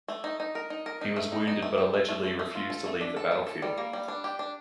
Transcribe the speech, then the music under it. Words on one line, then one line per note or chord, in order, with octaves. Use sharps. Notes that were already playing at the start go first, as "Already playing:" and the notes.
He was wounded but allegedly refused to leave the battlefield.
A3
D#4
D#4
A#4
D#4
A#4
D#4
A3
D#4
D#4
A3
G4
A3
A3
A3
A3
F4
A4
A3
D4
A4
A3
A4
G3
A#3
G3
D4
G4
D4